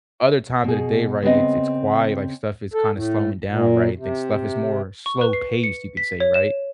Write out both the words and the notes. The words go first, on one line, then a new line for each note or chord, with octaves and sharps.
other times of the day, right, it's it's quiet, like, stuff is kinda slowing down, right? I think stuff is more slow-paced, you could say, right?
B2 G#4
C#3 B3 C4 D#5
A4
A2
A#2
C3
C#6
B4
C7
C#7
B6
C#5
E7